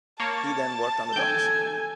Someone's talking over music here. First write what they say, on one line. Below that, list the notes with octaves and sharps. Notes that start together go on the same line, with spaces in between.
He then worked on the docks.
A#3 C#5 A5
A4 G5 G#5 G6